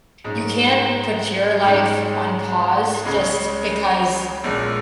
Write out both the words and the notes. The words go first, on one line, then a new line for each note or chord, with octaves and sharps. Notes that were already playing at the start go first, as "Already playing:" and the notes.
you can't put your life on pause just because,
G#2 G#3 C#4
G#2 G#3 C#4
C#2 C#3 G#3 C#4
A#1 A#2 G#3 C#4